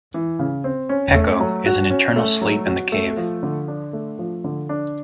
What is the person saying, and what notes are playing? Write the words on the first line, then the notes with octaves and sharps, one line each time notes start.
Peko is in eternal sleep in the cave.
E3
C#3
C4
C#4
A3
F#3
F#4
C#4
A3
F#3
F#4
A3
F3
D3
D4
A3
F3
D3
D4